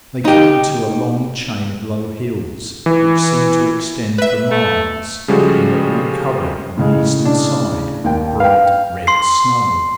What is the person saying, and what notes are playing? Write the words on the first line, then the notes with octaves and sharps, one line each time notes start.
They came to a long chain of low hills which seemed to extend for miles, and were all covered on the eastern side with bright red snow.
D#4 G4
E3
B4 E5
A3
C#3 F3 G3 G#3 F#4 A4
A2 C#3 G#3
D4
D#2 G5
B4 F5 G5
C6 C7